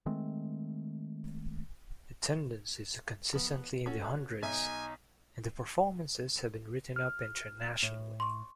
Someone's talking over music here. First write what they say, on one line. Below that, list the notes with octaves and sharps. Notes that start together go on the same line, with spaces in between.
Attendance is consistently in the hundreds, and the performances have been written up internationally.
D#3 G#3 A3 C4
F3 B3
C#4 F#4 A4
B1 D#4 E5 G#5
F6
A2
C6 C#6